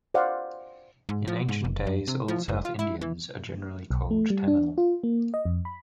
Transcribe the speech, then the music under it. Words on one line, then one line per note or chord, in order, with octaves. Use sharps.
In ancient days all south Indians are generally called Tamil.
C5 D5 F5 F#5
G#2
F3
G#2
F#1
F#2
C3
F3
F#1
F4
E4
E3
B1
A3
G3
D4
F4
A#3
D#5
F2
B5